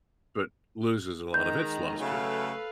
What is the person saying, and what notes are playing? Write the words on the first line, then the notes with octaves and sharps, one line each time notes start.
but loses a lot of its luster.
D#3 G#3 A#5 G6
C#3 F#3 A3 A4 B4 F5